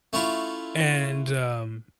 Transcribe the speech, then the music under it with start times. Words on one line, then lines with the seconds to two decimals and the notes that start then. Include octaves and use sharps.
and, um,
0.13 A3 C#4 E4 F4